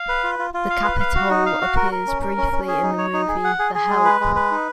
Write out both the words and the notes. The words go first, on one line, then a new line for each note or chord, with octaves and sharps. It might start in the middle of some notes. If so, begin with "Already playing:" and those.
The Capitol appears briefly in the movie "The Help".
Already playing: F5
B4
F4
F4
F4
F5
B4
F5
F#4
D#4
F5
F#4
A#4
A#4
C#4
A#4
C#4
C#4
G#4
D#4
C#5
D#4
G#4
F#5
G#4
G#4
G#3
B4
G#3
B4
D#4